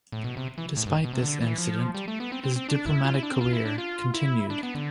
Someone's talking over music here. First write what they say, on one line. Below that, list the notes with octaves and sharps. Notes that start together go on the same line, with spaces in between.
Despite this incident, his diplomatic career continued.
A2
B2
C3
E3
A2
G2
B2
C3
D3
E3
F3
G3
A3
B3
C4
C4
C4
D4
E4
F4
E4
D4
C4
F4
E4
D4
F4
E4
D4
B3
D3